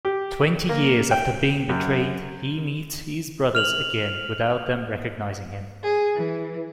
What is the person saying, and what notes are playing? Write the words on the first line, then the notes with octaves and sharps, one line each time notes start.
Twenty years after being betrayed, he meets his brothers again without them recognizing him.
G4
A#3
G5
F#2
F6 F7 F#7
G#4
E3